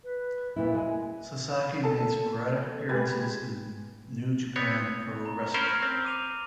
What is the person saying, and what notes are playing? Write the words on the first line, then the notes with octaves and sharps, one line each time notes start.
Sasaki made sporadic appearances in New Japan Pro Wrestling.
B4
A#2 E4 B4
G#3 G#5
A4 A5
G#3 G4 B4 G#6
B3 C4 C#5
A#5
C#4 A#4 C5 B5 F6
C4
D6 D#7 F7